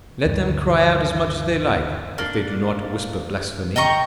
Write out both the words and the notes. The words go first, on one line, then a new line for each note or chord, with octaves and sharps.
"Let them cry out as much as they like if they do not whisper blasphemy."
D2 G2
A#3 D4
D#5 G5 A#5 C#6